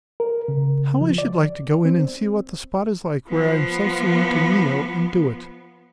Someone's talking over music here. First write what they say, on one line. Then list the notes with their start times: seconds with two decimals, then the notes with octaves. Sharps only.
"How I should like to go in and see what the spot is like where I am so soon to kneel and do it."
0.20 A#4
0.48 C#3
1.01 F3
1.18 D5
1.85 C4
3.30 F3 B3